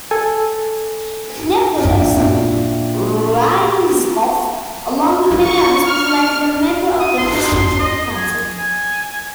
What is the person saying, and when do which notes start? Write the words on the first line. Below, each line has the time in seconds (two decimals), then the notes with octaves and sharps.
Nevertheless, Ryzhkov, along with many others, was elected a member of the Presidential Council.
0.11 A4 G#5
1.87 A#2 D4 E4 D5 E5 G5
5.40 C#6
5.82 F6
7.00 D#6
7.18 C6
7.79 D#5
8.16 G#4
8.58 G#5